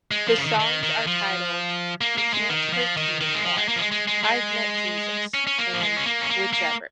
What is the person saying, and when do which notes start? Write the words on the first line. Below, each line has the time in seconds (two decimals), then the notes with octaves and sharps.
The songs are titled "You Can't Hurt Me Anymore", "I've Met Jesus" and "Whichever".
0.11 G#3
0.27 F3
0.38 C#3
0.43 D#3
0.60 D#3
0.83 D#3
1.07 F3
2.01 A#3
2.18 A#3
2.34 G#3
2.50 D#3
2.73 F3
2.97 D#3
3.21 D#3
3.35 G#3
3.45 F3
3.57 G#3
3.68 A#3
3.76 F3
3.79 G#3
3.92 G#3
4.07 G#3
4.23 G#3
5.34 C#4
5.47 C#4
5.58 A#3
5.74 F3
5.82 G#3
5.97 C#4
6.06 A#3
6.21 C#4
6.29 A#3
6.53 A#3